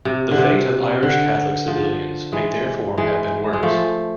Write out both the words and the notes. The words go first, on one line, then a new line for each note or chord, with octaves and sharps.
The fate of Irish Catholic civilians may therefore have been worse.
C3
D3
C3
D3
F3
E3 G#3
E3 G#3
G#3
F3 A3